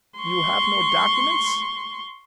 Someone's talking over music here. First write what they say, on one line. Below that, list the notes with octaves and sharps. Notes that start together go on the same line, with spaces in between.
"You have no documents?"
C6 C#6